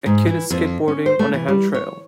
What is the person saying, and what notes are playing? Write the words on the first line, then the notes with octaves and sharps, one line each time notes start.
A kid is skateboarding on a handrail.
G#2
E3
F2
C#4
C5
A3
E3
G3
C#5